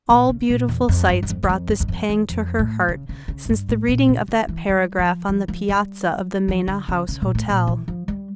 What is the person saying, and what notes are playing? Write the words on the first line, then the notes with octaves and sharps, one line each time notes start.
All beautiful sights brought this pang to her heart since the reading of that paragraph on the piazza of the Mena House Hotel.
A#2
C#3
A#2
E2
F2
G2
G2
F2
E2
F2
G2
E2
F2
E2
F2
A2
C#3
C#3
C#3
A2
G2
A2
A#2
C#3
D3
E3
G3
F3
F3
F3
G3
F3
D3
C#3
C#3
A#2
A2
A#2
E3
F3
G3